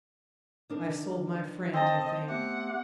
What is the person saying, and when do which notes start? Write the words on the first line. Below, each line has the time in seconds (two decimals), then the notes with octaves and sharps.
I've sold my friend, you think.
0.70 D#3 D4 A#4
1.74 C4 D#5 A5
2.29 A3 B3 G4 F#5